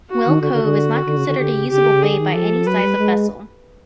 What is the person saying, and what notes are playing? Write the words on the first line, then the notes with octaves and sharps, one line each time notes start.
Whale Cove is not considered a usable bay by any size of vessel.
F#4
D#3
D3 F#4
D3
D3
D3
C#3
D3
D3 G4
C#3
C#3 G4
D3
C#3
D3 G#4
D#3
F3 A4
F#3 B4
G3
G#3